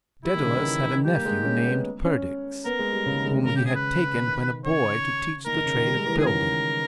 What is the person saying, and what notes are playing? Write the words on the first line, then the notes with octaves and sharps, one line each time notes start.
Daedalus had a nephew named Perdix whom he had taken when a boy to teach the trade of builder.
G3 E4
D#3
C#3
D#3
E3
G3 G4
A#3
G#3
C#4
B3
C#4
B3 A#4
G#3
G3
C#3
D#3
G#3
D#3
C#3 A#4
G4
G#4
B4
D#3
C#3 C#5
D#3 A#4
D#3
C#3
D#3
G3
G#3
E3
D#3 G#4
C#3 A#4